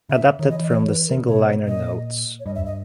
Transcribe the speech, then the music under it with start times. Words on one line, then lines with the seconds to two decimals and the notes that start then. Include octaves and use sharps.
Adapted from the single liner notes.
0.09 C#3 E5
0.39 D#3 C#5
0.49 E3 D#5
0.64 D#5
0.69 C#5
0.89 B4
1.08 A#4
1.17 C#3
1.28 B2 C#5
1.68 A#2 D#5
2.40 C#5
2.46 G2 D#5
2.55 E5
2.66 D#5